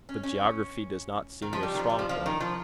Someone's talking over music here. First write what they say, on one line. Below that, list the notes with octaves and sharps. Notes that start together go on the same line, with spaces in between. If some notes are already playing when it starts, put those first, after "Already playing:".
"But geography does not seem your strong point."
C#4
C#4
D#3
F3
G3
D#3
F3
G3
F3
F3
D#3
F3